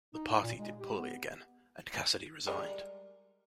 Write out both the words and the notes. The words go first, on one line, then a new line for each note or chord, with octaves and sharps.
The party did poorly again, and Cassidy resigned.
D#4
A#2
G#3
G4
B3
G3 G#3 A#4